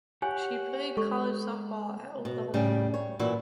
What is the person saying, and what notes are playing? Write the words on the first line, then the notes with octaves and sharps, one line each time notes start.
She played college softball at Oklahoma.
G4 C#5 F#5 G#5
G#3 A4 C#6
B2
A2 C#3 G3
C#5
A#2 E3 E4 F#4